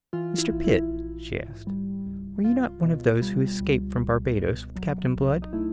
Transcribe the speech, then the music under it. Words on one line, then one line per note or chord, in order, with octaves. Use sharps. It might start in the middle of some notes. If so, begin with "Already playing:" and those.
"Mr. Pitt," she asked, "were you not one of those who escaped from Barbados with Captain Blood?"
E3 F4
E4
A#1
E4
A#1
G#2
G3
C#2
C#2 F4
B2
G3
C#2
C#2
B2
F#3
C2
D#4
A3 E4